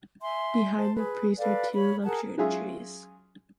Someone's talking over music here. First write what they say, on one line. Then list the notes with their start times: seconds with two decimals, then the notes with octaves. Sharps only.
Behind the priest are two luxuriant trees.
0.21 E5 G#5 C6
0.76 C5 A5
0.95 G#4 B4
1.39 A4 B4 D5 F5
1.75 C#5 B5
2.05 G#4 A#4 F#5 A5
2.38 F#3 G#3 C#4 F4 G#4 E5